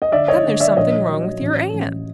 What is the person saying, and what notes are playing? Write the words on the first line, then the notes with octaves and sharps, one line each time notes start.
"Then there's something wrong with your aunt!"
D#5
D3 D5 E5
C#5 D#5
D3
D5 E5
A#1 C#5 D#5
F#3
A1
A1